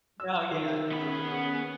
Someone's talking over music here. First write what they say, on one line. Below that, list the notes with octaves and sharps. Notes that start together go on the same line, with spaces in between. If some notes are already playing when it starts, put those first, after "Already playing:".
Oh, yeah. Definitely.
E6
D#3
B3 C#4 G#4 B5